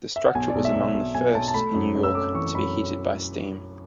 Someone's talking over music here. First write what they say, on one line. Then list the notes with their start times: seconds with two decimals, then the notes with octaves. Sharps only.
The structure was among the first in New York to be heated by steam.
0.16 E5
0.25 F#5
0.35 B1 G#5
0.50 D5
0.55 B1
0.65 E5
0.75 B1
0.80 E5
0.94 B1
1.14 B1 G#5
1.34 B1 A5
1.48 A5
1.54 A3 B5
1.74 F#2
1.95 F#2
2.03 E6
2.14 A3 D6
2.34 E3 C#6
2.55 F#2 B5